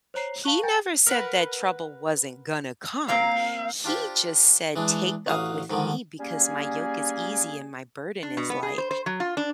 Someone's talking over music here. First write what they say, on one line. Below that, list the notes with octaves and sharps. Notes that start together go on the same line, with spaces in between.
he never said that trouble wasn't gonna come, he just said take up with me because my yoke is easy and my burden is light.
C5 C#5 A#5 C7
F5 A5 C#6 F#6
G5 G#5 A#5 G6 A6
A#4 B4 F#5
A#3 C4 F5 A#5
D4 F4 G4 C5
E3 G#3 D4
A1 F#3 F5 D#6
G#2 D3 D#3 F3
G3 A#3 C#4 G#4
D4
B2
B3
G#4
C5
C5
F#3
F4
D4